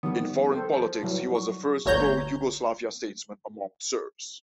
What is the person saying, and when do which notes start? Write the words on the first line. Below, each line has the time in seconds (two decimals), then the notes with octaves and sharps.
In foreign politics, he was the first pro Yugoslavia statesman among Serbs.
0.03 D#3 F3 G3 B3
0.53 D#3 A4 C5
0.73 F3
1.02 F#3 G3 E4
1.35 C#6
1.85 G1 D2 C#5 A#5 G6